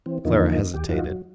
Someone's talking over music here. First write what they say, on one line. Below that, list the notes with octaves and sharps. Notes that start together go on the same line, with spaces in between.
Clara hesitated.
E3 C4
E2 D3 F3 A#3 D#4
D#2 G4
F#2 F3 D#4 F4 F#4
F#3